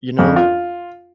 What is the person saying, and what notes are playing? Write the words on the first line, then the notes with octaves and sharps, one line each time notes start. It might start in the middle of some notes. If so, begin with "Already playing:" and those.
You know
F2
F4